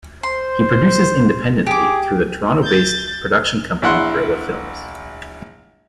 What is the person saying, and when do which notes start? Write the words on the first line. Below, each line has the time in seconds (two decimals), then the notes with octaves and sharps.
He produces independently through the Toronto-based production company Guerrilla Films.
0.23 C5 C6
1.67 G4 G#4 D6
2.63 G6 A6
3.82 A#1 E4 F#5 C6